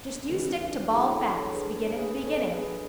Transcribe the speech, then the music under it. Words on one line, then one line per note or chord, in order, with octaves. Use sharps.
Just you stick to bald facts. Begin at the beginning.
D4
C#4
D2 C#3 E3 G#3 B3
C#4
B3 D4
D4 F#4
E4 G#4
F#4 A4
A4 C#5
A4
G#4 B4
A4 C#5
G#4 B4
A4 C#5
G#4 B4